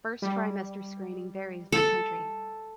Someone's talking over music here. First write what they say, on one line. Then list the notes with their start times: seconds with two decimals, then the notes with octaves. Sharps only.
First trimester screening varies by country.
0.22 G3
1.72 A4